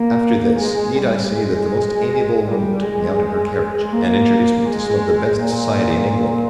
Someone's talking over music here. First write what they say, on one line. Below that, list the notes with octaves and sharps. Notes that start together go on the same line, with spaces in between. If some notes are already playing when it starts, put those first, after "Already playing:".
After this, need I say that the most amiable of women took me out in her carriage, and introduced me to some of the best society in England?
Already playing: A#3
G#3
G3
G#3
G3
G#3
A#3
G#3
A#2